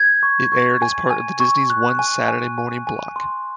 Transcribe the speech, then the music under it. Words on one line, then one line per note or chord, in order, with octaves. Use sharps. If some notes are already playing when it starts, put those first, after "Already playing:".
It aired as part of the Disney's One Saturday Morning block.
Already playing: G6 G#6
C#6
C#6
G#5
G#5
C#6
F#6
G#5
G#5
G#5
G#5
C6